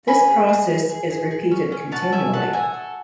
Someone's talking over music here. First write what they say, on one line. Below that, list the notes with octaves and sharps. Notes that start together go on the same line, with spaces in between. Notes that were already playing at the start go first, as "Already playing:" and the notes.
This process is repeated continually.
C#4 G#5 B5
G#4
G#4
G#4
G#4
G#4
G#4
C#4
C#4
C#4 F#5 A5
C#4 E5 G#5
C#4 F#5 A5
F#4 E5 G#5
A4